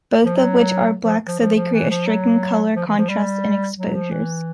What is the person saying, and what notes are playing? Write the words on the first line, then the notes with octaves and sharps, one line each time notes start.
Both of which are black so they create a striking colour contrast in exposures.
F3
F#3
F3
F3
F3
F3
E3
F3
F#3
F3
E3
F3
G3
F#3
F3
E3